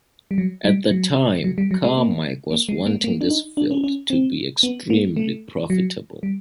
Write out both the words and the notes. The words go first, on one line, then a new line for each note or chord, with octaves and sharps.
At the time, Carmike was wanting this field to be extremely profitable.
G3
F#3
G3
F#3
F#3
G3
F#3
G#3
A#3
A#3
G#3
A#3
A#3
D4
D#4
D4
C#4
C#4
C4
B3
A#3
A3
F#3
G3